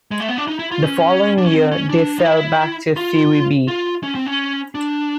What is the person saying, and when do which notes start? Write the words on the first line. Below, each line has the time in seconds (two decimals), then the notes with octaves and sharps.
The following year, they fell back to Serie B.
0.11 G#3
0.20 A3
0.29 B3
0.38 D4
0.47 D#4
0.59 E4
0.71 F4
0.83 C#4
1.38 D4
1.46 C#4
1.54 C4
1.72 C#4
1.90 D4
2.19 D#4
2.25 E4
2.97 F4
3.68 F4
4.03 C#4
4.15 C4
4.26 C#4
4.75 D4